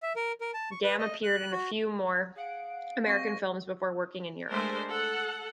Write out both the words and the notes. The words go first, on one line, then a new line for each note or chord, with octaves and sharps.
Gam appeared in a few more American films before working in Europe.
E5
A#4
A#4
A5
C#6
B4
D#5
F#6
F#4
G#4 F5 F#5 D7
C4 F#4 C5 C#6 A#6
G#3 A3 D4 A#4 C5
A4 F#5